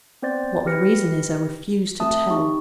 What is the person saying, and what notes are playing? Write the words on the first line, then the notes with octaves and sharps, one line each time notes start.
What my reason is, I refuse to tell.
B3 C4 C5 D5 A6
G4 B4 F6 A#6 C#7
A3 C4 A5 D#6
D#4 G4 C#6